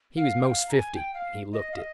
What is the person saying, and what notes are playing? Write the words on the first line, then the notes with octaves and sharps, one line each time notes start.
He was most fifty, and he looked it.
F5
G5
F5
A#5
G#5
G5
F5
D#5
F5
D#5